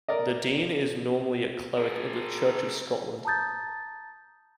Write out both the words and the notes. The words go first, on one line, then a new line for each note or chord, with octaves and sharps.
The Dean is normally a cleric of the Church of Scotland.
A#4 D5 D#5
G#4 A#4
A5 A#5 D#6 G6 A6